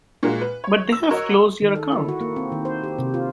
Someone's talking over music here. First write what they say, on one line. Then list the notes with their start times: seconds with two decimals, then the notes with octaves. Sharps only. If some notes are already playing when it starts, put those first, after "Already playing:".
But they've closed your account.
0.23 A#2 G#3 A#3 F#4
0.41 B4
0.64 C#5
0.92 E6
1.10 F#4 A#4 C#5 D#5
1.62 D#3
1.75 A4
1.92 E4
2.09 F#4
2.21 A#3
2.36 C4
2.52 D#3
2.65 C5
2.84 G4
2.98 C3
3.14 F4